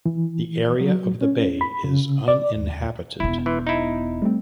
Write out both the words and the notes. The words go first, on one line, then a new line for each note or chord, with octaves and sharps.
The area of the bay is uninhabited.
E3
F#3
C#4
B5
C#3
D5
D#2
E1 B3 E4
E3 C6 G6
D#4 E4
G3 A3 C4